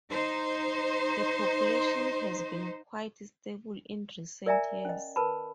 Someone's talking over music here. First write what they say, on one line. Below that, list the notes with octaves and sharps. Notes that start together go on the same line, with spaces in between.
The population has been quite stable in recent years.
D#4 C5
A#4 D5 E5 G#5 A#5
C#4 D#5
A#4 B4 A5 B5